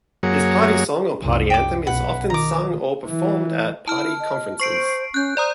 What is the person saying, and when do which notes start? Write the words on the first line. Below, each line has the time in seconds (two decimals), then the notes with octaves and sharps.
This party song or party anthem is often sung or performed at party conferences.
0.23 F#2 F#3 A#3 G#4 C#5
1.21 C2 F#2
1.50 G5 D6
1.86 B1 B4 F#5
2.30 D#3 A#5 D6
3.07 E3
3.88 E4 A5 F6
4.20 D#5
4.60 C5 C#6 C7 D7
5.14 C#4 F#6 G6
5.37 C5 D5 A#5 D#6